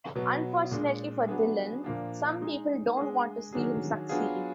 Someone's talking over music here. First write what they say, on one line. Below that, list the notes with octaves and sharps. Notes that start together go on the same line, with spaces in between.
Unfortunately for Dillon, some people don't want to see him succeed.
B2 F#3 B3
A#2 G#3 D4
F#3 B3 D4 G#4
A#2 F3 A#3 D4
G#3 D#4 G#4
G#3 D4 G#4
D#3 F#3 D4 G#4
F#3 B3 D4 F4 G#4